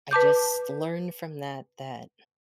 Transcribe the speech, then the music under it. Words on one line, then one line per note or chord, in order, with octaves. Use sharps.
I just learned from that that
B4 A5 D6 G6